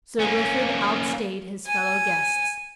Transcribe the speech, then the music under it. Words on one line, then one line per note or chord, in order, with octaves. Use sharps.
Sir Wilfrid outstayed his fellow-guests.
A#3 C#4
G#5